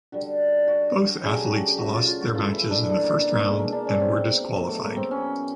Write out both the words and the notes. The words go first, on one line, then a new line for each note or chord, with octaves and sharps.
Both athletes lost their matches in the first round and were disqualified.
D3 G3 F#4
F#4
C#3 F#3 A3 G#4
G4
F#4
G4
F#4
F4
F4
F#4
C#3 E3 A3 F4
E4
D4
A3
A#3
A#3
B2 G#3 A3
A#3
D4
C#4
C4
B2 F#3 A3 A#3
A3
A#3
C4
C#4